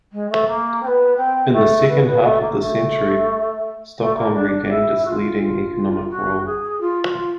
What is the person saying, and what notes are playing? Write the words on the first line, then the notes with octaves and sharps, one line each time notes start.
In the second half of the century, Stockholm regained its leading economic role.
G#3
A3
A#3
C4
B3
C4
A3
B3
B3
A3
A#3
A#3
A3
A3
A#3
D4
D4
E4
F#4
F4
F4
F#4
G#4
F4
F#4
F4